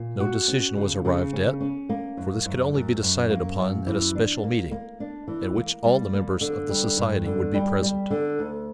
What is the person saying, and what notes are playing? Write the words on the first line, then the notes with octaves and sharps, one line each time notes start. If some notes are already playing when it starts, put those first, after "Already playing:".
No decision was arrived at, for this could only be decided upon at a special meeting, at which all the members of the society would be present.
Already playing: A#2
F#4
C#4
C#3
C#3
C#4
C#4
A#3
F#2
F#2
F#2
F#2
A#3
F#2
E3
D4
A#3
A#3
D4
E3
A#3
G3
A#3
D3
G3
G2
D3
G3
G3
D3
D2